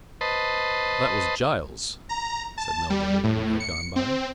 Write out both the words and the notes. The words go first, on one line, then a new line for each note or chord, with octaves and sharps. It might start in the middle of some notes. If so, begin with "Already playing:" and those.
"That was Giles," said Melbury, when they had gone by.
B4 C5 D#5 A5
A#5
A5
G3
A2
C#7
C4